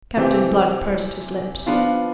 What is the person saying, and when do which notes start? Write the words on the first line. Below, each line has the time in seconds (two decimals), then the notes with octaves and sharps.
Captain Blood pursed his lips.
0.16 C3 E3 A3 C4 G4
1.66 F3 B3 D4 F4